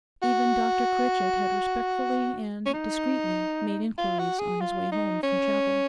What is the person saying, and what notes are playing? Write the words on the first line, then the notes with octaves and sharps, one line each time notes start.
Even Dr Critchett had respectfully and discreetly made inquiries on his way home from chapel.
F#4
C#4
D#4
F4
F#4
G#4
F4
D#4
C#4